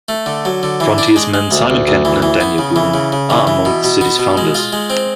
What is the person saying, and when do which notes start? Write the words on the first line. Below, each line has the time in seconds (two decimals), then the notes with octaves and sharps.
Frontiersmen Simon Kenton and Daniel Boone are among the city's founders.
0.09 A3
0.26 D3
0.45 F#3
0.63 D3
0.80 E3
0.98 D4
1.16 G#3
1.34 G#3
1.51 D2
1.70 D2
1.87 D2
2.05 E3
2.22 E3
2.41 B3
2.58 C#3
2.76 E3
2.94 C#3
3.12 C#3
3.30 E3
3.47 E3
3.65 B2
3.84 B2
4.01 B3
4.19 B2
4.37 G#3
4.55 F4
4.73 G#3
4.90 C4